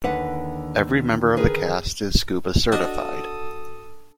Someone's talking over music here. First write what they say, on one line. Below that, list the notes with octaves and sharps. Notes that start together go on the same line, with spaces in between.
Every member of the cast is scuba-certified.
D#2 D3 D#3 B4 F#5
G#4 A#4 B4
D4 F#4 A4 D#5 D#6